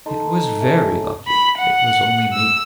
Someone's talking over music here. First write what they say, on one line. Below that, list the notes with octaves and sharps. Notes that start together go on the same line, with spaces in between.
It was very lucky it was only me.'
D#4 A4 A5 C6
A3 C#4
B5
F#5
E6